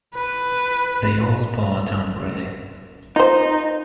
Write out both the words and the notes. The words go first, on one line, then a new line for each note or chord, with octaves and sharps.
They all part angrily.
B4
D#4 F4 C5